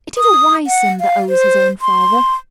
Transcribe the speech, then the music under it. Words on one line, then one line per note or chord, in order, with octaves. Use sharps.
It is a wise son that owes his own father.
D#6
F#5
F5
C5
C6